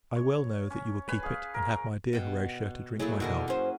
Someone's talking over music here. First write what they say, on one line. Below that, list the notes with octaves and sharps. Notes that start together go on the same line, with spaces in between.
I well know that you will keep it, and have my dear Horatia to drink my health.
C#5
C#4
B4 G#5
G#4 F5
A#4
B2 G5
F#3 A3 A#3 E4 G#4
B2 D3 D#3 F#4 G#4 A#4
F#2 C#4 G#4 C5